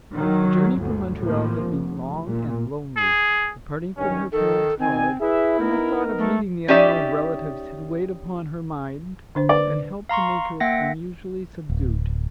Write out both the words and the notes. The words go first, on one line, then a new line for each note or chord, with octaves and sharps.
The journey from Montreal had been long and lonely, the parting from her parents hard, and the thought of meeting the unknown relatives had weighed upon her mind and helped to make her unusually subdued.
D#3 F#3
G1 D2
A2 C3 F3 A#3
F1
A#2
G#4
G2 D#3 C#4
D#3 A4
D#3 C4 D#4 G#5
E4 G#4 B4 E5
B3 D#4 A#4
A3
C#4 D#4 G4 D5 E5
D3 D4 C5
B4 D5
F5 A#5 C6 C#6
A#3 E5 F#5 G5 A#6
D1